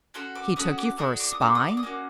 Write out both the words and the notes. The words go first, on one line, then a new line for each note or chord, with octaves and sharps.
"He took you for a spy?"
C#4 F#4 A4 C6
D6
C#4 F#4 A4 D#6
D6
D4 F#4 A4 D#6
D6
D#6
D4 F#4 A4 D6
D#6
D6
D#6
A#3 C#4 F#4 D6